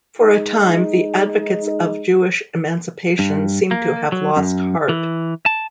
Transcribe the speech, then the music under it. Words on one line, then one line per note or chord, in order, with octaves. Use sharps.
For a time the advocates of Jewish emancipation seemed to have lost heart.
G#3 D#4
G2
A#3
F#3
F#2
E3
A5